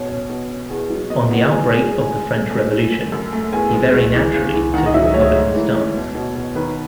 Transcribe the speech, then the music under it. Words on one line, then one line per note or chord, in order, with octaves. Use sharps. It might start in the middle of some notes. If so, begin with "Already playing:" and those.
On the outbreak of the French Revolution he very naturally took a Republican stance.
Already playing: B2 C#5
C#4
B2
C#4
E2
F#3
B3 D#5
B3 F#5
A2 G#5
G#3 G#5
G#3
G#5
G#3
A3
A3
A3
F#2
F#2
A3
E2 G#5
G#3
E2
E3
C#3
E3
D#3 F#5
D#5
F#3 E5
A3 C#5
G#2
E3
C#4
B2
B2
B2
D#3 B4